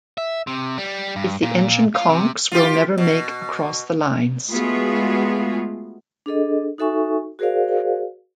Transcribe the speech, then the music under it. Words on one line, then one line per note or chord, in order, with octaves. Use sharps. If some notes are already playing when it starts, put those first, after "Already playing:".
If the engine conks we'll never make across the lines.
E5
C3
G3
G2
A#2
F4
C3
F4 G4
B2
G#3 A3 B3 F4 F#4 G#4
D4 G#4 A4 D#5
D#4 F#4 A4 E5 G#5 C#6
F#4 G#4 A#4 C5 D5 F5